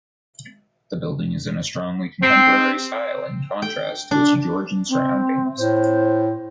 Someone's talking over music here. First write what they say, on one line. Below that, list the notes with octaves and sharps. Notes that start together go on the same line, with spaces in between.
The building is in a strongly contemporary style in contrast to its Georgian surroundings.
C4
G5
D4
C4
A2 C5